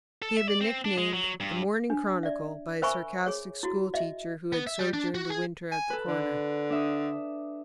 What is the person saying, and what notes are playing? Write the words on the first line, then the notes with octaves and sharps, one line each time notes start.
He had been nicknamed "The Morning Chronicle" by a sarcastic schoolteacher who had sojourned a winter at the Corner.
A4
E5
D5
C4
D4
G#3
F#3
G2
D4
D5 E5
A#4 C5 E5 G#5 B5 C#6
G#4 C#5
E4 F#4
D#5 E5
B3
E5
G3
D4
F#4
G#4
G#5
A4 B4
D3
D4 E5 D#6